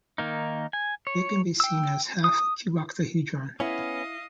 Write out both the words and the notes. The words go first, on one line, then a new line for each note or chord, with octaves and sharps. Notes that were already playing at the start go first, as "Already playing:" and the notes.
It can be seen as half a cuboctahedron.
D#3 A#3 D#4
G#5
C#5
G5 E6
D#6
B3 C#4 E4 D#5 F5